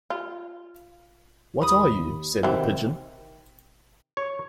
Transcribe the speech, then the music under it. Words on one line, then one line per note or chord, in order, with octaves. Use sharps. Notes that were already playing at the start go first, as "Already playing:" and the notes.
What are you?’ said the Pigeon.
F4
D#2 B5 D#6
C3 D#3 E3 C4
C#5